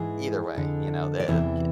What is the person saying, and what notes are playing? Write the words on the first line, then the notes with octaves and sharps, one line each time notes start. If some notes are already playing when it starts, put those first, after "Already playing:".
Either way, you know, the c
Already playing: G#2 E3 G#4
F2 D3
D5
E2 C3 E3 E5